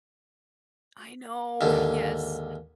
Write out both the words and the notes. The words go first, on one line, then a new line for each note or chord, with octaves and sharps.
I know, yes.
D#2 G#2 D3